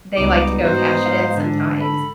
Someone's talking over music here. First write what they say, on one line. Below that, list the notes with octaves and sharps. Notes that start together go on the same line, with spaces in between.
they like to go cash it in sometimes,
C#2 G3 B3 D#4 D6
G#2 F#4 C5
F5
D3 D4
A4 B5